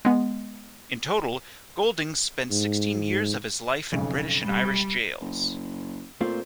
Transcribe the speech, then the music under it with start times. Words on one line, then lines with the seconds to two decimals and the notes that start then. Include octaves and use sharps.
In total, Goulding spent sixteen years of his life in British and Irish jails.
0.05 G#3 B3
2.50 G#2
3.92 B1 F2 C#3
4.45 G3
5.21 F#1
6.21 A#2 A3 C4 F4